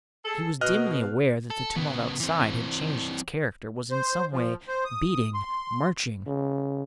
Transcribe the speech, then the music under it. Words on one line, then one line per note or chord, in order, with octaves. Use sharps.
He was dimly aware that the tumult outside had changed its character, was in some way beating, marching.
G#4 A4
B2 D#5 F6 F#6
A4
C#3 B3
E3 C4
C5
F3
C5
D#6
C6
C#3